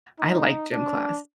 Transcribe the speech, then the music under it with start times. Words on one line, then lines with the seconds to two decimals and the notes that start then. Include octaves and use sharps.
I like gym class,
0.19 D#4
0.72 D4